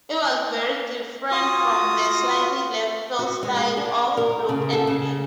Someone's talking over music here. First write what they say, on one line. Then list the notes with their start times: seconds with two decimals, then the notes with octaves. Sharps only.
It was very different from the slightly leftfield style of 'Look at Me'.
1.31 F4 F#4 D#6
3.19 F#4
3.43 G#3
3.56 G#4
3.77 D4
4.17 A#4
4.49 C#3
4.73 A4
4.87 C#3